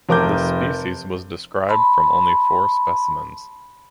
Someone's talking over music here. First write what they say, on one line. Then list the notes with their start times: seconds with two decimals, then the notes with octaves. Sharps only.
This species was described from only four specimens.
0.09 F1 A#4 D6 G6
1.69 A5 B5 C6